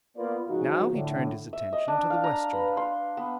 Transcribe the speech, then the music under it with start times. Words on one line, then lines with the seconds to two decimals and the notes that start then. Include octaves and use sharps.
Now he turned his attention to the western dial.
0.17 A#3 B3 F4 B4 D5
0.49 G#2 C#3 F3 D#4 F#4
0.93 A2 D3
1.53 E5
1.73 D#5
1.88 D4
2.10 F5
2.24 A#5
2.53 B4
2.77 C6
3.17 B3